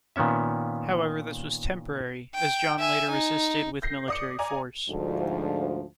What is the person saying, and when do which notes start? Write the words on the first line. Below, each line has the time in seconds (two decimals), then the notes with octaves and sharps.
However, this was temporary, as John later resisted with military force.
0.16 A#2 D#3 B3 C#4 E5
2.35 G5
2.79 E5 G#5
3.12 D#4
3.82 G6 A#6 C7
4.08 D5 D#6 C#7
4.39 D5 G#5 A#5
4.89 D2 G#2 F3